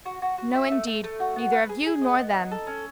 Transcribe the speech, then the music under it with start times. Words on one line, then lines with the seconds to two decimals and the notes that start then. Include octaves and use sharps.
No, indeed, neither of you nor them.
0.06 F#4
0.22 F#4
0.38 F#4
0.55 E5
0.71 A3
0.87 A3
1.04 A3
1.20 F#4
1.36 B3
1.52 B4
1.69 G#4
1.86 G#4
2.02 D#5
2.18 B3
2.34 D#4
2.51 A4
2.67 C#4